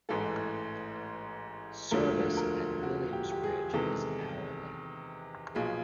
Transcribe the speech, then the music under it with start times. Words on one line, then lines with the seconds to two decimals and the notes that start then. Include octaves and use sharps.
Service at Williams Bridge is hourly.
0.09 A1 G#2 E3 A3 A4
1.91 E1 D2 D3 F3 A3 A#4
2.37 A#4
2.83 F#4
3.13 G4
3.32 G4
3.43 G#4
3.73 E2 C3 D#3 G#3 A4
5.55 B1 A#2 F3 G#4